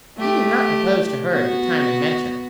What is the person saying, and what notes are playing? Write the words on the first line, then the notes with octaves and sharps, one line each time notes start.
He did not propose to her at the time you mention.
A3 G4
B3 F#4